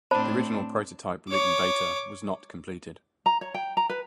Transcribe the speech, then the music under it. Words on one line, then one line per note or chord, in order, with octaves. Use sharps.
The original prototype Luton Beta was not completed.
A2 C4 D4 C5 A5 B5
C#5 D6
A#5
C#5
G5
A#5
B4